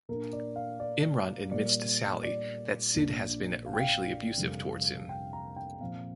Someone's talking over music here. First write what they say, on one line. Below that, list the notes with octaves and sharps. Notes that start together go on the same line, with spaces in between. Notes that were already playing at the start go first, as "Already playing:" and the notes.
Imran admits to Sally that Sid has been racially abusive towards him.
A#2 A#3 D4 A#4
D5
F5
D5
A#2 G3 A#3 D5
D5
A#1 A#2 A#3 D4
F5
G5
F5
F2 C3 G3 A#3
G5
A#5
G5
A#2 F3 C4 F5